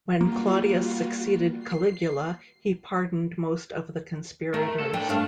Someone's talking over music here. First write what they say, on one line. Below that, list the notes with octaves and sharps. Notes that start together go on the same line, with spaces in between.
When Claudius succeeded Caligula, he pardoned most of the conspirators.
G3 A#3 F4 F#4
C7
A3 A#4
A4
D2 D4 G5
G2 A3 D4 F5